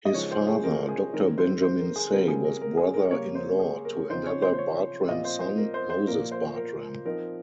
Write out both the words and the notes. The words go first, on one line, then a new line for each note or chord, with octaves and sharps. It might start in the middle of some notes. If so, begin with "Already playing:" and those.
His father, Doctor Benjamin Say, was brother-in-law to another Bartram son, Moses Bartram.
D#5
C#3 F3 G#3 D#4 C#5
C5
G#4
A#4
G#4
D#3 G#3 C4 D#4 A#4
C5
C5
A#4
G#4
C#3 G3 C4 F4 A#4
G#4
A#4
A#4
G#4
A#4
C#3 G3 A#3 C#5
C5
G#4
A#4
C#3 F3 C4 D#4 C5
C#5
C5
C5
C#5
A#2 F3 C4 F4 D#5
C5
C5
A#4
C5
C5
A#2 F3 A#3 F4 A#4
C5
A#4
F3 C4 D#4 A#4